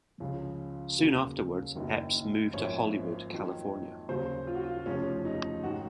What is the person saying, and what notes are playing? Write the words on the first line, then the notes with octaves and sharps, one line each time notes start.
Soon afterwards Epps moved to Hollywood, California.
C#2 C#3 F3
D#2 C#3 F#3
F#1 F#2 D#3 F#3
G#1 F#2 F3 C#5
F2 D#3 F#3
D#2 C#3 F#3 C5
F4
F#4
F4
F1 F2 C#3 F3 C#4
D#4
G#2 D#3 F#3 F#4